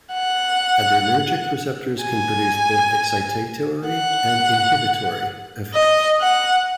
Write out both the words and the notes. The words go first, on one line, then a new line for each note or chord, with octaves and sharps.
Adrenergic receptors can produce both excitatory and inhibitory effects.
F#5
G#5
F#5
D#5
F#5